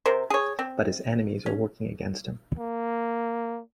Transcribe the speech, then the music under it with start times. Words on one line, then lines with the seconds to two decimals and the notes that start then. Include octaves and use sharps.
But his enemies were working against him.
0.06 C3 A#4 C5
0.30 G#4 C#5
0.59 C4
1.46 C#4
2.58 A#3